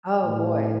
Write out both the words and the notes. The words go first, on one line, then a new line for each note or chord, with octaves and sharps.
Oh, boy.
A2